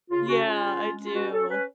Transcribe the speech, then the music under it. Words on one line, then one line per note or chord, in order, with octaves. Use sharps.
Yeah, I do.
C#3 F4
C#4 F#4
C#3 F4
C#4
G#3
C#4
F4
B2 F#4
C#4 A4
C#4 B4